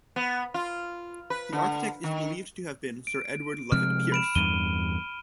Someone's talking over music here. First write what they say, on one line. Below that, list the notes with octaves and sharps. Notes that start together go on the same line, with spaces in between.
The architect is believed to have been Sir Edward Lovett Pearce.
B3
F4
B4
D3
D#3
D7
C3 F3 G#3 F6
B5 D7 E7
E2 G2 D#7 G7